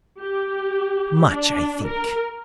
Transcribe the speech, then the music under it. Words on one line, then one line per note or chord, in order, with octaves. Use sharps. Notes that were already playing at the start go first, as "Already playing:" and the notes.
Much, I think.
G4
D4
A#4